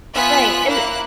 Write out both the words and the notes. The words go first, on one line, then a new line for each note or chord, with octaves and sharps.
Right, and
B3 F4 E5 G#5 F#6 B6
A#3 E4 F#6